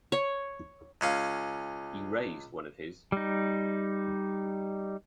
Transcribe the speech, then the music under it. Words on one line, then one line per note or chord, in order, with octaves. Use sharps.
He raised one of his.
C#5
C#2 C#4 F5
G3 D#4